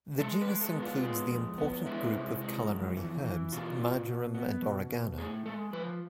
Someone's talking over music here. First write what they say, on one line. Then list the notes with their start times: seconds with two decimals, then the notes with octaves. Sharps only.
The genus includes the important group of culinary herbs: marjoram and oregano.
0.20 G#3 A4
0.41 B4
0.47 G#3
0.61 A4
0.76 B3
0.83 F4
1.03 G#3
1.31 F2
1.58 B3
1.86 G#3 E4
2.13 C3
2.41 G#3
2.69 F2
2.97 E3
3.24 E3
3.52 B2 F4
3.79 B2
4.07 B2
4.34 B3
4.62 B2
4.89 B2
5.18 A2 G#4
5.46 G#3 A4
5.73 F3 B4